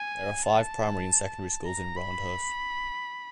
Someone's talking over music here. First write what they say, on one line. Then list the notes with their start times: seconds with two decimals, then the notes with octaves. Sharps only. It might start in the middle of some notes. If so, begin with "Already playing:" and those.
There are five primary and secondary schools in Rhawnhurst.
Already playing: G#5
0.46 A5
1.66 A#5
1.96 B5